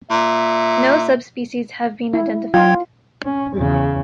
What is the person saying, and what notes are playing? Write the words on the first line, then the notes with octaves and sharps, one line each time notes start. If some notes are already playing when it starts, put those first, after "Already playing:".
No subspecies have been identified.
A#2 E5
E4
F#3 F4 G5 G#6
C#4
E2 C#3